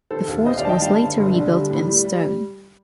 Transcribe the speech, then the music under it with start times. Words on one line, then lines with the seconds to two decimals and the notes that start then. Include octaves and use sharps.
The fort was later rebuilt in stone.
0.11 D#3 A4 C5
0.28 D#2
0.46 D#2 C5 D#5
0.57 D5 F5
0.64 D#3 A5
0.69 D#5 G5
0.82 G2 F5 A5
1.00 G1
1.17 G1
1.34 D3
1.52 G3
1.70 A2
1.88 G3
2.05 G3